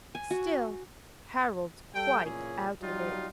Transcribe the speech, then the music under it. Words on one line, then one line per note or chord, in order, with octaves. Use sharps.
Still, Harold's quite out of it.
G#5
F#4
G3 A4 G5
A#2 C#3 E3 C#4 G#4
F#3 G3 D#4 F4